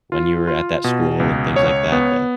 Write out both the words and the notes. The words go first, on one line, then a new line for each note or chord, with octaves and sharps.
when you were at that school and things like that, but
F4
F4
B2
C#2
C#5
B3